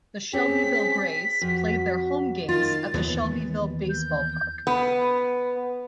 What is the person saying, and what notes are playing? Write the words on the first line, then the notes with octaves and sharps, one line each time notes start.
The Shelbyville Grays played their home games at the Shelbyville Base Ball Park.
C4 C#4 G4 G#4 B6
F2 F#4
D#3 F4 A6
D#2 E3 B3
G6
B3